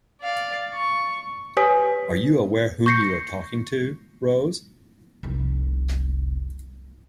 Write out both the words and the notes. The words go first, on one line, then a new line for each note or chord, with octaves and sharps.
Are you aware whom you are talking to, Rose?
D5 F5
C#6
G4 B4 C#5 G#5 D#6 B6
C#6 G6 A#6 C7 C#7
F1 C2